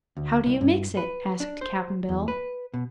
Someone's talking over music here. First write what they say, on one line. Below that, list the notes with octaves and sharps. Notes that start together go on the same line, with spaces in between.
"How do you mix it?" asked Cap'n Bill.
D2
C2
G2
B4
D4
C5
E2
B4
B2